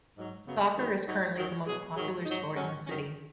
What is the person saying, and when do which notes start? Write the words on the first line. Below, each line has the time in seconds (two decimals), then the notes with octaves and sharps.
Soccer is currently the most popular sport in the city.
0.17 G#2 F#3
0.47 F#2 C#3 F#3 B3
0.77 F#2 D#3 F#3 C#4
1.07 G#2 F#3 D#4
1.37 F#2 D#3 F#3 F#4
1.67 B2 F#3 G#4
1.96 G#2 D#3 F#3 G#4
2.26 G#2 F#3 D#4
2.56 G#2 F#3 C#4
2.86 F#2 D#3 F#3 C#4